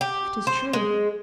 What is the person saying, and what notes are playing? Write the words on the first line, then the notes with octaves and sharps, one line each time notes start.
"That is true."
G4
C5
G#3